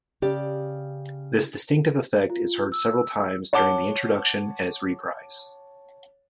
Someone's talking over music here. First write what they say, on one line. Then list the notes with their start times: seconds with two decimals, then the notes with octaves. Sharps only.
This distinctive effect is heard several times during the introduction and its reprise.
0.22 C#3 G4 D5
2.30 F4
2.72 E6
3.53 C#5 F#5 A5 D6 G7